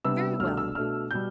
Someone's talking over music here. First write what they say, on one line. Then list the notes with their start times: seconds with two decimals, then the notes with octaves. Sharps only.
Very well.
0.04 C3 G3 B3 D4 E6
0.40 C2 B2 A3 D4 F6
0.57 E6
0.75 B2 A3 D4 F6
1.11 B2 G3 G6